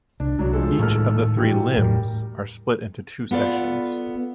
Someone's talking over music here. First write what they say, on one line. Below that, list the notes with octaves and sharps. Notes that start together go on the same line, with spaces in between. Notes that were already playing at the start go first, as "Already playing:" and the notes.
Each of the three "limbs" are split into two sections.
C2 D4
C2 F#3 D4 F#4
F3 G#3 A4
D#2 A2 G#3 A4 F6
E3 G3 F#4
E2 A2 G3 A#4
B3 F4 A4 D5